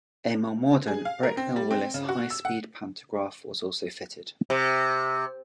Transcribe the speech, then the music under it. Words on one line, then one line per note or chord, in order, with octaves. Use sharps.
A more modern Brecknell Willis high speed pantograph was also fitted.
G#4
F5
A#4
C4
G3
C4
C#3
F#4
E6
F#5
C3